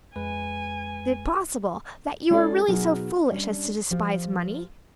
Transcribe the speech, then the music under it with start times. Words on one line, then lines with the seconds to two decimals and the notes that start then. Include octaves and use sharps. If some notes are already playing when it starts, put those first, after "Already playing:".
'Is it possible that you are really so foolish as to despise money?
0.16 F2 G#3 B4 G#5
2.30 G#3 C#4 D4 F4 A4 D5
2.67 B2 F#3 D#4 G#4 A#4 G#5
3.31 G3 C#4 D4
3.91 F3 G4